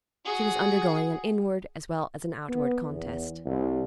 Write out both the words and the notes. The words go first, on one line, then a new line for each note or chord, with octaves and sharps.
She was undergoing an inward as well as an outward contest.
F#4 G#4
B3
E2
C2